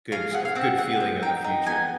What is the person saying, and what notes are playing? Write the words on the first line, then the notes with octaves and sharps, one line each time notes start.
good ch a good feeling of the future.
G#4 F5
G#4 F#5
F5
C4 F#5
G#4 F#5
C4
D#4 G5
D#4
B3 G#5